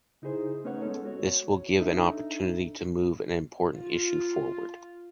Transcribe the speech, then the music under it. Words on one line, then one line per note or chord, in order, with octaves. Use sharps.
This will give an opportunity to move an important issue forward.
C#3 D#4 E4 G#4 C5
A3 C#4 D#4 B4 C#5 F#5
G#3 B3 C#4 A4
F#4 C#5
D4 D#4 A4 E5
F4